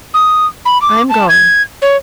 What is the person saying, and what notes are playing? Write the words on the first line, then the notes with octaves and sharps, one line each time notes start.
I am going.
D#6
B5
D6
A5
G#6
C#5